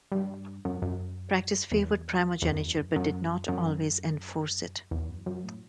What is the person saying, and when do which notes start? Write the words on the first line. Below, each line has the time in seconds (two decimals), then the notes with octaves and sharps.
Practice favoured primogeniture but did not always enforce it.
0.12 G2
0.65 F#2
0.82 F#2
1.72 E2
2.42 E2
2.51 F#2
2.60 E2
2.78 F#2
2.96 F#2
3.49 F#2
4.91 E2
5.09 F#2
5.26 F#2
5.44 A2